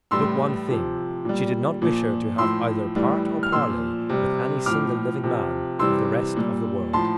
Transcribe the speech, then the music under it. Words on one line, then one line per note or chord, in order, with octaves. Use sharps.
But one thing, she did not wish her to have either part or parley with any single living man of the rest of the world.
A2 E3 G3 C6 E6
C3 F3
A#2 G3
A#2 F3
A2 F3 C6 E6
A2 E3 G3
F6
A#2 F3 C6 E6
C3 G3
A2 F3 D6 F6
C3 F3
C3 E3 G3 C6 E6
A#2 G3
A2 F3 A5 C6